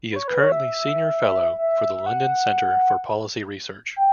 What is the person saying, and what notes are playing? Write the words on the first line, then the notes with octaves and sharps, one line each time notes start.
He is currently Senior Fellow for the London Center for Policy Research.
B4
C#5
B4
C#5
E5
E5
E5
F#5
G5